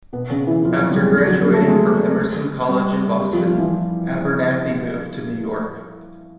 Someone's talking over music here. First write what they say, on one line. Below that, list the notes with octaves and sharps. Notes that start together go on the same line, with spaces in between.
After graduating from Emerson College in Boston, Abernathy moved to New York.
B2 B3
C#3 C#4
E3 E4
F3 F4
F#3 F#4
G3 G4
G#3 G#4
G3 G4
F#3 F#4
A#3 A#4
A3 A4
G#3 G#4
G3 G4
G3 G4
F3 F4
F3 F4
E3 E4